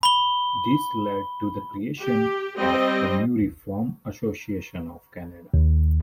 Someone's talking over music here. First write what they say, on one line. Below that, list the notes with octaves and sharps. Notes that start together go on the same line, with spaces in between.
This led to the creation of a new "Reform Association of Canada".
B5 G7
G4
G3 C4 D#5
D#2